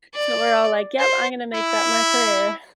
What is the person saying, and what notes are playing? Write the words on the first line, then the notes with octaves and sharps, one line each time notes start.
so we're all like, "Yep, I'm gonna make that my career."
D5
C5
E4